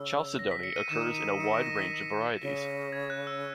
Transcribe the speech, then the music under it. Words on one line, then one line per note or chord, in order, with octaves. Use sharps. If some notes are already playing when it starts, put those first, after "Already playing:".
Chalcedony occurs in a wide range of varieties.
Already playing: C#3 E6
A#6
B6
C#7
D#7
D#3 E7
D#7
C#7
A#6
A#6
B6
C#3
G#6
F#6
E6